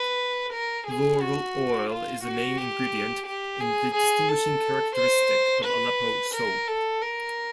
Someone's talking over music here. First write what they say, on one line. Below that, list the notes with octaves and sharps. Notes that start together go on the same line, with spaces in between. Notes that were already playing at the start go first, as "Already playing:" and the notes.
Laurel oil is a main ingredient, and the distinguishing characteristic of Aleppo soap.
Already playing: B4
A#4
G#4
F#4
F4
F#4
G4
G4
G#4
G#4
A4
C5
B4
A#4
A4
A#4